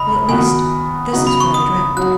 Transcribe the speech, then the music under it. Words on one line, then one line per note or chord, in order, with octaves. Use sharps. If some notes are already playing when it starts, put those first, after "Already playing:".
Well, at least, this is what I dreamt.
Already playing: C#3 D#4 B5
D#3 B3 F#4 G#5
C#3 B3 D#4 F#4
B5
C#6
D#6
F#3 C#4 F#4 F#6